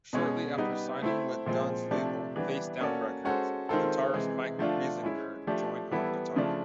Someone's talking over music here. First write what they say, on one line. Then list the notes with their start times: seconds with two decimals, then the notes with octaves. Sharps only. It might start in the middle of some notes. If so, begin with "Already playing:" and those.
Shortly after signing with Dunn's label, Facedown Records, guitarist Mike Risinger joined on guitar.
0.13 B2 G#3 C#4
0.57 G3 B3 D#4
1.02 A3 C4 E4
1.46 A#2 F3 G#3 C4
1.91 C3 F3 A3 D4 G4
2.36 E3 G3 B3 D4
2.80 A#3 C#4 F#4 A4 D5
3.25 G#3 C#4 F#4 A4 C5
3.69 D#3 G#3 C4 F4 A4
4.14 C3 E3 G#3
4.58 D3 F3 A3 D4 F4
5.03 G#3 C#4 E4
5.47 F3 A3 D4 G4
5.91 E3 G3 B3 E4 A4
6.36 C#3 F3 A3 D4